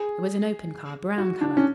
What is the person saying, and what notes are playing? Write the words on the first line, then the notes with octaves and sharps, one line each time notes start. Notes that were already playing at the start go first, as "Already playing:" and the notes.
It was an open car, brown colour.
Already playing: G#4
F#4
D4
C#4